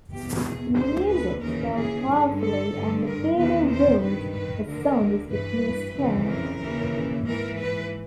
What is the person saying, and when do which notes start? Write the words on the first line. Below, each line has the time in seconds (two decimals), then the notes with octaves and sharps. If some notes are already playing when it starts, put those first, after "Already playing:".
The music swelled powerfully and the piano roared... the sound is with me still.
0.12 E2 B2 G4
0.45 G#4
0.77 D2 D3 C5
1.10 B4
1.42 D#2 C#3 E3 A#4
1.75 G#4
2.07 G2 D3
2.40 A4
2.71 G2 D3
3.04 A#4
3.37 E2 C3 D#3 B4
3.69 C5
4.02 G2 D#3 B4
4.34 B4
4.66 D2 D3 A#4
5.31 G2 E3 B4
5.96 F2 C#3 E3
6.29 A#4
6.61 D#2 C#3 E3
7.26 G#2 E3 A#4
7.57 B4